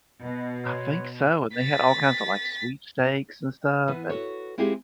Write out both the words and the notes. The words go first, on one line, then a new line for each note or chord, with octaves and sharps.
I think so, and they had all kinds of, like, sweepstakes and stuff and,
B2 B4 D#5
B4 C#5 C6
A6 B6
E3 B3
F#4 A4 B4 C#5
G#3 C4 E4 F4 G4 G#4